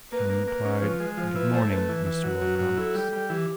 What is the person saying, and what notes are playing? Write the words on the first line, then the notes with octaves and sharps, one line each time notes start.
Helen replied, "Good-morning, Mr. Wilcox."
A#3 B4
A#3
A#3
C#4
F3
G#3
F3 C5
E4 B4
A3 C5
A3 B4
E3
E3
F#3
F#2
F#3
E4 A4
G3
G3
E3 G4